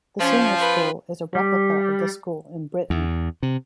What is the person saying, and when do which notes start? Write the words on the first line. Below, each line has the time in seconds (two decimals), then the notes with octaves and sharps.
The senior school is a replica of the school in Britain.
0.19 F3 C#4 F4
0.56 F4 B4
1.35 G3
2.90 E2
3.43 C3